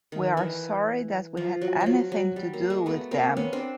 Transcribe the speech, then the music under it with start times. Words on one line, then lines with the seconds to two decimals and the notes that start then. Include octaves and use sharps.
We are sorry that we had anything to do with them.
0.12 D#3
0.37 E3
1.37 F3
1.61 F#3
1.81 F3
1.86 F#3
2.12 F#3
2.36 G3
2.53 A#3
2.70 G#3
2.86 A3 B3
3.11 A#3 C4
3.37 B3 C#4
3.53 C4 D4